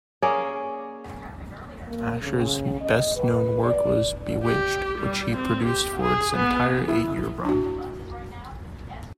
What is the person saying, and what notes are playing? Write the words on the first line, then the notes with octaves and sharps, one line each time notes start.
Asher's best known work was "Bewitched", which he produced for its entire eight-year run.
A#3 C#4 G#4 D5
A#3
C#3
D#5
B4
D5
G4
G3
C4
G4
G#4
B3
E4
D4 F#4